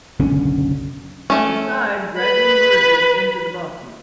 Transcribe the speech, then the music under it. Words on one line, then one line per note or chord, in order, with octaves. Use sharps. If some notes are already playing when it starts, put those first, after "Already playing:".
The side gradually merges into the bottom.
F#1 B1 D3 C#4
A3 C#4
B4 B5